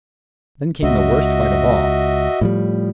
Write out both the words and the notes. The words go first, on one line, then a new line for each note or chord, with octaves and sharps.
Then came the worst fight of all.
C#2 F#4 D#5 E5
A2 F3 G3